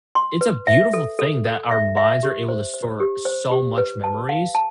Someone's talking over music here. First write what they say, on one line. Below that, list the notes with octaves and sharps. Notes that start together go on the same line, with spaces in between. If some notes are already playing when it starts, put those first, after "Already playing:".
it's a beautiful thing that our minds are able to store so much memories,
C6
B4
E5
A4
A4
A4
E5
E5
G4
C5
C5
G4
C5
G4
B4
A5
F5
A5